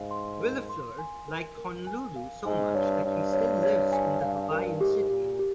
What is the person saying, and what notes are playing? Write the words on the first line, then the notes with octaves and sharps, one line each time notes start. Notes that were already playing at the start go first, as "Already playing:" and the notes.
Villaflor liked Honolulu so much that he still lives in the Hawaiian city.
Already playing: G#2 F5
C6
A#4
C6
G#5
A#4
A#4
G#5
F5
G#2 G#5
G2 C#5
G2 C#5
C#5
C#5
G#5
G2 F5
G2 A#4
G#2 G4
A#2 G4
G4